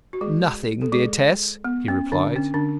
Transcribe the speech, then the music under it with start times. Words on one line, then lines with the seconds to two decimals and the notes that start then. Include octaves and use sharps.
"Nothing, dear Tess," he replied.
0.13 F#4
0.21 G#3 G#4
0.81 A4
0.92 G#3 G#4
1.65 B3
1.88 C#4
2.12 D3 D4
2.36 C#4
2.54 D3 D4